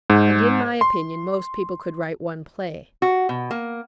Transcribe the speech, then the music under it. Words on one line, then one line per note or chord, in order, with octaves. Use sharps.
And, in my opinion, most people could write one play.
G#2
C6
F#4
B2
A#3